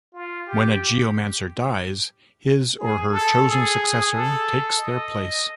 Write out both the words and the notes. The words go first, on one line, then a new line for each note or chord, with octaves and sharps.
When a Geomancer dies, his or her chosen successor takes their place.
F4
G4
G#4
A4
G#4
A4
D#5